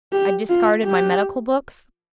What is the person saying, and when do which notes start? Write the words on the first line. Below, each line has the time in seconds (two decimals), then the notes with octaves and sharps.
I discarded my medical books.
0.12 G4
0.49 F4
0.84 G4